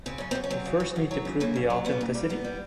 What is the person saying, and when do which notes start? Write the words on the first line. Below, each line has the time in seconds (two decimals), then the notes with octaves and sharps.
We first need to prove the authenticity?
0.06 C#3 C4
0.18 F#2 C#4
0.31 C4
0.35 F#2
0.44 C#4
0.50 F#3 C4
0.66 C#3
0.80 F#2
0.96 F#2
1.11 F#3
1.25 C#3
1.40 F#2 A#3
1.56 F#2
1.70 F#3
1.85 G3 B3
2.01 A#2
2.15 G3
2.30 A#2 B3
2.45 G3